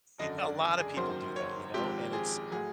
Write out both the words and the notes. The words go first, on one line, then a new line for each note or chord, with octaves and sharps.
e a lot of people do that, you know? And it's
G#1 F#2 D3 D#5
D5
G#4
F#1 F#2 D#3 F#3 A#3 C5
C#5
G#1 G#2 F3 G#3 C4 G4
G#4
A2 F#3 G#4